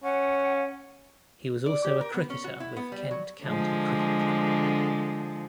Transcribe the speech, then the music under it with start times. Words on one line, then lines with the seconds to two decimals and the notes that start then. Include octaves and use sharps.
He was also a cricketer with Kent County Cricket Club.
0.04 C#4 F#5
1.66 D5
1.85 G4
2.01 A#4
2.14 B3
2.30 C#4
2.44 F#4
2.60 E4
2.77 B3
2.92 G3
3.11 F#3
3.44 D3 F3 G#3